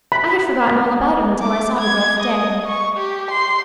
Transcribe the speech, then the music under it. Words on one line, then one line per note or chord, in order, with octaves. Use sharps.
I had forgotten all about it until I saw the girl today.
B5
D6
G#6
D#5
C#6
G4
C6